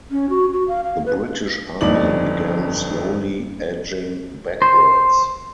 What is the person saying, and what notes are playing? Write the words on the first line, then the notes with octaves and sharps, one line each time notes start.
The British army began slowly edging backwards.
C#4
F#4
F#4
F5
F5
B4
G1 F2 D#4 D5 F#7
C5